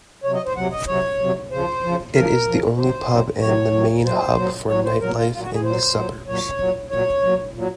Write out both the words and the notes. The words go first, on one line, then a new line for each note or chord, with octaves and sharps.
It is the only pub and main hub for nightlife in the suburb.
C3 F#3 C#5
D#5
C5
C3 F#3 F#5
D#5
C3 F#3 C#5
C3 F#3
C#3 F3 C5
C#3 F3
C#3 F3 A#4
C#3 F3
C3 D#3 F#3 C5
C3 D#3 F#3
C3 D#3 F#3 C#5
C3 D#3 F#3
A#2 F#3 C5
A#2 F#3
A#2 F#3 C#5
C5
A#2 F#3 A#4
F4
A#2 F#3 F4
F#4
G#4
A#2 F#3 C5
A#2 F#3
A#2 F#3 C#5
A#2 F#3
A#2 F#3 C#5
A#2 F#3
A#2 F#3